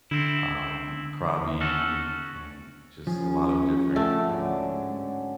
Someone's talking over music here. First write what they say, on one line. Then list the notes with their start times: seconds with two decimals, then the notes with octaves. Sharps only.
um, Krabi and just a lot of different, uh
0.11 D3 C4 E4
1.61 C#4 F#4 A4
3.07 F3 C#4 G#4
3.96 A3 F#5 G5
4.29 G#2 D3 F#3 C#4